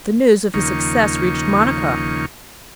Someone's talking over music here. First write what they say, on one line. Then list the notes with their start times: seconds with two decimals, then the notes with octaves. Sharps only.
The news of his success reached Monica.
0.54 D#2 C#3 F3 A#3 D#4 C#6